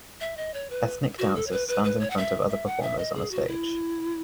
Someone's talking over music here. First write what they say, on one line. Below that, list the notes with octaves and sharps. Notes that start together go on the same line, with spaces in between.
Ethnic dancer stands in front of other performers on a stage.
E5
D#5
C#5
B4
F#4
A4
C#5
B4
B4
B4
C#5
F#5
E5
E5
F#5
E5
D#5
G#4
F#4
E4